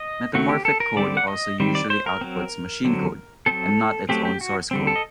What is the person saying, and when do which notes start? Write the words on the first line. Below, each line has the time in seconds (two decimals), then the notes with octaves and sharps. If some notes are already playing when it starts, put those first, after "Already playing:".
Metamorphic code also usually outputs machine code and not its own source code.
Already playing: D#5
0.34 D#3 A3 C4 F#4
0.49 G4
0.65 A4
0.80 A#4
0.96 D3 G3 C4 D5
1.17 F#5
1.28 D#5
1.60 D#3 G3 C4
1.75 D5
1.90 C5
2.06 A#4
2.21 F#3 C4
2.85 D3 F#3 C4
3.46 F#3 C4 A4
4.09 F#3 A3 C4 G4
4.25 G4
4.41 F#4
4.71 D3 G3 C4
4.87 A4
4.96 D#5